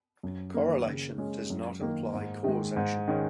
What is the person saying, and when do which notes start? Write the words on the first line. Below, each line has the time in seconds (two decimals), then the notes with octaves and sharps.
Correlation does not imply causation.
0.23 F#2
0.54 D#3 A#3
0.86 C#3
1.18 G#3 C#4
1.50 F#2
1.81 D#3 A#3
2.13 G#2
2.44 D#3 G#3
2.76 G#2
3.08 D#3 G#3 C#4